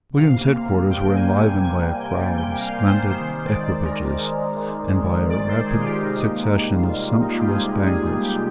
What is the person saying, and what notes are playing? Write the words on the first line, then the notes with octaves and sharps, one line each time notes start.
William's headquarters were enlivened by a crowd of splendid equipages and by a rapid succession of sumptuous banquets.
C3 F5
A#3
C3
G3
C3 G5
A#3
G#5
C3
G#5
G3
C3 G#5
A#3
C3 G5
G3
C3 G5
A#3
F5
C3
C5
G3
D#3 C5
D#3
G#3 D5
G#3
D#3 A#4
D#3
G#3
G#3
D#3
D#3
G#3
G#3
D#3 D5
D#3 C5
G#3 G#4
F4
G#3 G4
C3 D#4
A#3
C3
G3
C3 F4
A#3
C3
D#4
G3 F4
G4
C3 G#4
A#3
C3 G#4
G3
C3 G4